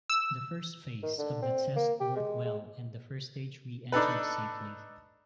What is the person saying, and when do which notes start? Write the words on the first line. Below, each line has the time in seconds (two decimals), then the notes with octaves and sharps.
The first phase of the test worked well and the first stage re-entered safely.
0.10 E6
1.03 D#3
1.18 D3
1.42 C4
1.76 A#3
2.00 G4
2.16 G#3
2.45 G#3
3.92 D4 D#4 A4 B4